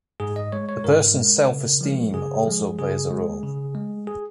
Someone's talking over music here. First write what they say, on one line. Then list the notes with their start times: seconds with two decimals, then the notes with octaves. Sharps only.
The person's self-esteem also plays a role.
0.20 G#2 G#4
0.36 D#5
0.52 G#3 C#5
0.69 C#5
0.84 G#2 A#4
1.16 G#3
1.49 C#3
1.81 F3 G#3
2.13 C#3 G#4
2.45 F3 G#3
2.79 C#3 G#4
3.11 G#3
3.43 C#3
3.75 G#3
4.07 G#4